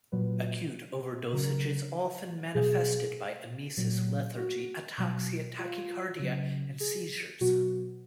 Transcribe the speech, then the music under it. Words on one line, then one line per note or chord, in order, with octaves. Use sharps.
Acute overdosage is often manifested by emesis, lethargy, ataxia, tachycardia and seizures.
A#2 F#3 B4
C#3 F#3 A#4
B2 F#3 G#4
A#2 F#3
F#4
B2 F#3
F4
C#3 F#3
G#4
B2 F#3 F#4